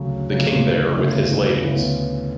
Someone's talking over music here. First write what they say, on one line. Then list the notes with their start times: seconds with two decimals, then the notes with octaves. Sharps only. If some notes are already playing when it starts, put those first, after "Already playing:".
The King there with his ladies.
Already playing: D2 C#3 F#3
0.30 D2 C#3 F#3
0.96 D2 C#3 E3 B3 E4
1.63 D2 C#3 E3 B3 E4